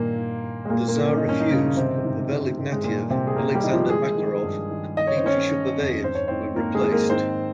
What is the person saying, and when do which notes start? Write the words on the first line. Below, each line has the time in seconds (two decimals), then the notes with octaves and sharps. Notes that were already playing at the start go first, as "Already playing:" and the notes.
The tsar refused, but Pavel Ignatieff, Alexander Makarov and Dmitry Shuvayev were replaced.
Already playing: G2 A#2 D#3 A#3
0.17 D#3
0.44 G2
0.65 G#3
0.70 G2 A#2 A#3
0.88 A#2 A#3
0.97 D#3
1.05 C#4
1.16 D#4
1.24 G2 C#4
1.40 D#4
1.51 G2 C#3 C#4
1.76 C3 D#3 C4
2.04 G#2
2.30 G#2
2.57 D#3
2.72 G#3
2.83 G2 A#2 A#3
3.10 G2 C3 C4
3.27 G#4
3.36 G2 A#3 A#4
3.54 G3 G4
3.63 D#3 D#4
3.73 F3 F4
3.90 D#3 G#3 G#4
4.17 D#3
4.44 G2
4.71 D#3
4.97 D#3 D#5
5.07 C#5
5.17 C5
5.23 D#3 C#4 C#5
5.50 D#3
5.77 F2
6.04 G#2 C5
6.15 C#5
6.28 G#2 C4 C5
6.56 G#2 A#3 A#4
6.74 G#3 G#4
6.84 D#3
6.92 A#3 A#4
7.10 G#2 C4 C5